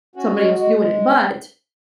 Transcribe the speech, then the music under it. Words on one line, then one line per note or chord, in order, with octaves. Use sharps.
somebody else doing it, but
C#4 F#4
G#3
G#3
G#3